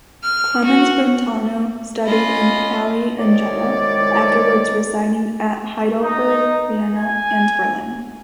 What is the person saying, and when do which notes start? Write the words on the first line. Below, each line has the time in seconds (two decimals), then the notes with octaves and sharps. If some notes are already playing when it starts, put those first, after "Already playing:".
Clemens Brentano studied in Halle and Jena, afterwards residing at Heidelberg, Vienna and Berlin.
0.23 F6
0.64 F#4
2.06 C#4 F4 D#5 B5
3.18 C2 D#3 G#3 C#5 D5
6.02 D#4
6.92 G#5